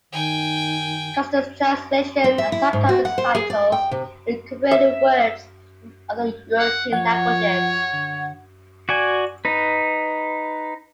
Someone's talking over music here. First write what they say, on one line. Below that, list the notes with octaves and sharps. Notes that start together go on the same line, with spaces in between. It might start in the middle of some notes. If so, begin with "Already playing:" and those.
Caxton's translations and sometimes his titles incorporated words from other European languages.
D#3 G5 G#5
C4
E5
E4
G#2
F#4
F#5
C5
G#4
D5
G5
C3
E5
F#5
F3 C#5 F#5
D3
F#4 D5 G#5
D#4 B4